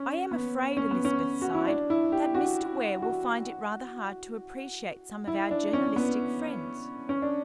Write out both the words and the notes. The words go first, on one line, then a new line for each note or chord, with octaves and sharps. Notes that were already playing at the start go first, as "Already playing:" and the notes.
"I am afraid," Elizabeth sighed, "that Mr. Ware will find it rather hard to appreciate some of our journalistic friends."
Already playing: C#4
B3
C#4
B3
C#4
F#4
E4
D4
E4
G4
F#4
F#4
E4
D4
C#4
B3
C#4
D4